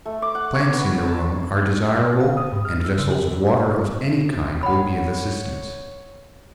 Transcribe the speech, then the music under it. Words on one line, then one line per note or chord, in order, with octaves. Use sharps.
Plants in the room are desirable and vessels of water of any kind will be of assistance.
A3
D6
F#5
C#5
B3
A5
F5
D#6
G#2
F6
E6
C#3
G4
C#5 F#5 B5